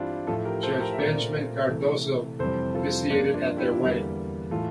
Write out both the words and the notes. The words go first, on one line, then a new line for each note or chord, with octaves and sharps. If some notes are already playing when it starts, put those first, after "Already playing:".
Judge Benjamin Cardozo officiated at their wedding.
Already playing: G2 E3 G3 C4 D4 E4 F4 G4
A2 F3 A3 F4 A4
G4 A#4
A4 C5
G4 A#4
E5
A#2 A3 C4 A#4 D5
C3 E3 A3
F2 C3 E3 G3 C4 A4 C5
F4 A4
G2 F3 A#3 D4 F4
D4 F4
E4 G4
E2 D3 G3 A#3
A2 E3 A3 F4 A4